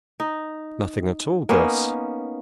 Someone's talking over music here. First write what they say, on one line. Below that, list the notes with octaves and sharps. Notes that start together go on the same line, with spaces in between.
"Nothing at all, Guss."
D#4
A#3 B3 C#4 D#4